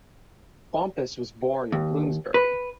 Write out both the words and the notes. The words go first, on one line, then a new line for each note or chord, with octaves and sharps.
Bompas was born in Bloomsbury.
D#2
B4